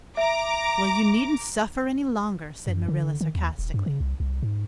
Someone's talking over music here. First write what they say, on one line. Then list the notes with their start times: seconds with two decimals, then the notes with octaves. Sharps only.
"Well, you needn't suffer any longer," said Marilla sarcastically.
0.17 E5 A#5 D6
2.67 F#2
2.88 D3
3.21 D#3
3.35 D#2
3.59 D#1
3.74 G2
3.86 C#3
4.00 C2
4.20 C2
4.42 G#2